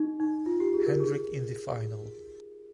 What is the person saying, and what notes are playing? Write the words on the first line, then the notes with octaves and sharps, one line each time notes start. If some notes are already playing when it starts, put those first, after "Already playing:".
Hendrick in the final.
Already playing: D#4
D#4
F4
G4
G#4
A#4
G#4